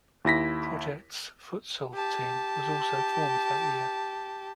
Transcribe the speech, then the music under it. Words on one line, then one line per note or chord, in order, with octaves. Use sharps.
Project's futsal team, was also formed that year.
D#2 E4 A#6 B6
G4 A5